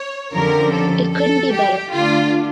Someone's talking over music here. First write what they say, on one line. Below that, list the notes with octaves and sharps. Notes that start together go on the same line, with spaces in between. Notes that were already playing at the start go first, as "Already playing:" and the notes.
It couldn’t be better.
Already playing: C#5
F2 D3 F3 C#4 G4 A#4
A4
A4
G4
D3 A3 D4 F4